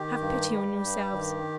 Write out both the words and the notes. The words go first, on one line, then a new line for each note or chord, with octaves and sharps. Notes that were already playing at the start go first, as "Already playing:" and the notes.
Have pity on yourselves.
Already playing: D#3 G4
G2
G3
G2
D#3